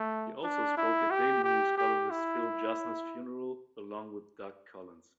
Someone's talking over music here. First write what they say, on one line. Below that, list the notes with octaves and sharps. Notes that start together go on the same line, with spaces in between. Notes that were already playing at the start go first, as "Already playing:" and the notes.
He also spoke at Daily News columnist Phil Jasner's funeral, along with Doug Collins.
Already playing: A3
D4
E4
G4
G4
G4
E4